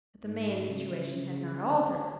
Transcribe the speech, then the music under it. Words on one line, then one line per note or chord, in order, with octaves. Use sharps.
But the main situation had not altered.
G#2
C#3
C#3
D3